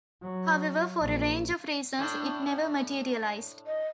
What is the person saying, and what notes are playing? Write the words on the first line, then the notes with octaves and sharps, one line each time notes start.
However, for a range of reasons it never materialised.
F#3
A#1
A2 D4
D#5